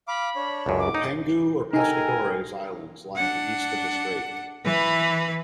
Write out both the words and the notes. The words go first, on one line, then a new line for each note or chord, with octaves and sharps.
The Penghu or Pescadores Islands lie in the east of the strait.
F5 B5 D6
D4 C#5
C#2 F#2
D6
D#4 D#6
D#4 G4 A4 A#4 G#5
D4 F#5
E3 B4